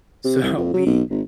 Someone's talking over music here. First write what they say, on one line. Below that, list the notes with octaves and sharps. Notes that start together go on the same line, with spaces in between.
So we
C3
C2
F2
F#3
B1
G#1